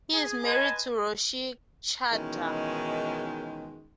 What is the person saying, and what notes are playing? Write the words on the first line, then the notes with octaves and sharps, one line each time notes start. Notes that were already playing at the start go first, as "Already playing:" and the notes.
He is married to Roshi Chadha.
G#4
B4 D#5 G#5 A5 C6
B2 D#3 E3 G#3 C#4 D#4